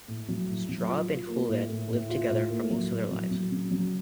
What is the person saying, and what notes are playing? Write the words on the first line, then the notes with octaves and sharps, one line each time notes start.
Straub and Huillet lived together for most of their lives.
A2
F#3
A2
F#3
F4
F4
A#3
A2
A2
A2
F4
A2
A#3
F#3
A2
F#3
F#3
C#3
F#3